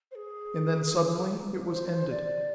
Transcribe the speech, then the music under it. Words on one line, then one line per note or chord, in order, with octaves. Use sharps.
And then suddenly it was ended.
C5
G#4
C5
C5
D5